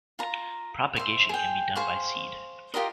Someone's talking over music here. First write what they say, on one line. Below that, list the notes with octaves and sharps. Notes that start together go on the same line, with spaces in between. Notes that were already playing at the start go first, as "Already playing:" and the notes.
Propagation can be done by seed.
F4 A#5
C5 E5
G#4 G5
G#4 C5 F5 C#6
F4 G4 A#4 D#5